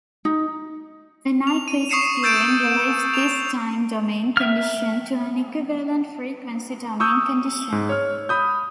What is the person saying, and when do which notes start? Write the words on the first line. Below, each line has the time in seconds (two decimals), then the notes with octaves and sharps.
The Nyquist theorem relates this time-domain condition to an equivalent frequency-domain condition.
0.25 D#4
1.47 F7
1.68 D#7
1.89 C#6 D#6 C7 C#7 D#7 E7
2.23 E6 G6 A6 D7 E7
3.14 F7
4.37 E5 F6
7.00 C#6 D#6 E6 G6
7.72 G#2
7.89 C#5 F6
8.29 B5 D#6 G6